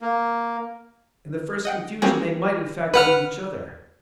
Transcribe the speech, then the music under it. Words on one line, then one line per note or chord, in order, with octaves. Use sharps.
In the first confusion, they might, in fact, wound each other.
A#3
D#5 F#5 G5
G3 A#3 C4 C#4 F#4 G#4
B4 F#5 F6